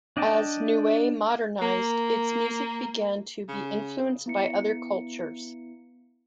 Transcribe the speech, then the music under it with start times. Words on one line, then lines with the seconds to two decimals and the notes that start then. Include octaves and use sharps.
As Niue modernized, its music began to be influenced by other cultures.
0.17 D4 D#5 G5 A5
1.61 A#3
3.48 C#3
4.26 B3 E4 C#7